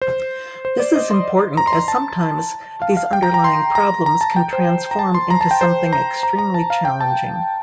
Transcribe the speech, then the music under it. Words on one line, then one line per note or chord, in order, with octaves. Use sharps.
This is important as sometimes, these underlying problems can transform into something extremely challenging.
C5
C5
D5
D#5
C6
A#5
C6
A#5
A5
F5
F5
G5
A#5
A#5
C6
A#5
A#5
A5
G5
C5
A#5
A5
C6
A#5
A5
G5
C5
A#5
A#5
A#5
A5
F5
G5
A5